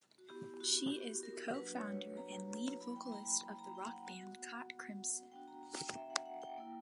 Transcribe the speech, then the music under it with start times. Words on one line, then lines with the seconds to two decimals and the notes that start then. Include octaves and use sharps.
She is the co-founder and lead vocalist of the rock band Caught Crimson.
0.18 F#4
0.29 B3 E4 G4
0.60 F#4
0.91 G4
1.23 A#4
1.54 F#3 A#3 D4 F#4 B4
1.76 C#5
2.17 A#5
2.80 F#3 A#3 E4 B5
2.96 G5
3.12 A#5
3.27 B5
3.43 B5
3.59 A#5
3.75 G5
3.91 F#5
4.06 B3 F#4
5.32 B3 D4 F#4 G5
5.48 A#5
5.63 A#5
5.79 G5
5.94 E5
6.10 F#5
6.26 F#5
6.42 G5
6.57 A#3 E4